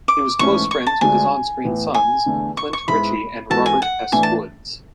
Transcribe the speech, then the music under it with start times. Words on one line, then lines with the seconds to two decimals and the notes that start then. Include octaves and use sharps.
He was close friends with his on-screen sons, Clint Ritchie and Robert S. Woods.
0.08 D6
0.39 G#2 E3 A3 C#4 C#6
0.71 C#6
0.87 A5
1.01 D2 D3 G#3 D4 G#5
1.64 A2 E3 B3
1.94 G#5
2.26 E2 D3 A3
2.57 C#6
2.73 C#6
2.88 G#2 G#3 B3 E4 B5
3.50 G#2 E3 B3 F#4 A4 A5
3.66 G#5
3.82 F#5
4.12 A2 E3 A3 D4 G#5
4.23 A5